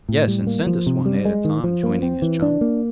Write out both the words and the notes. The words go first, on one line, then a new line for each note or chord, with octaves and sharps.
"Yes, and send us one," added Tom, joining his chum.
A2
G3
A#3
F3
C3
G3
G#3
D#3
F3
A#3
C4
E3
D4
A#3